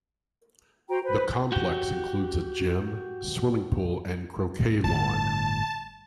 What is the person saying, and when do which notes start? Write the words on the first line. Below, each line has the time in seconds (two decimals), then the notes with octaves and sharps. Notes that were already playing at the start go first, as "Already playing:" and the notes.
The complex includes a gym, swimming pool and croquet lawn.
0.89 F#4 C5 G5 A#5
1.03 B4 C5
1.52 F#4 G4
4.84 G1 A2 A5